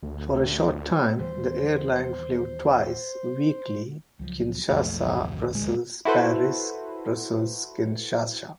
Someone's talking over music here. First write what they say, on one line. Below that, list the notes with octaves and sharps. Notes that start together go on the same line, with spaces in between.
For a short time, the airline flew twice weekly Kinshasa-Brussels-Paris-Brussels-Kinshasa.
D2
D#2 E3 G3 C5
C#2 F3 F#3
B1 F2 A3
A1 D2
D#1 G#3
E4 F#4 A4 B4 C5